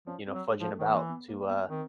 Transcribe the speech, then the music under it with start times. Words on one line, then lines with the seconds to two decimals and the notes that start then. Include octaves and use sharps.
you know, fudging about to, uh,
0.07 F3 C#4
0.27 C4
0.34 F#3
0.47 G#3
0.60 F3
0.67 A3
0.79 D#3
0.87 E3 A#3
1.09 B3
1.28 A#3
1.42 A#3
1.49 B3
1.70 D#3 C4